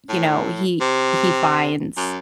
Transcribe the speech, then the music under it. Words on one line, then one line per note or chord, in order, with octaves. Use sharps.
you know, he he finds
A2
C3
F#2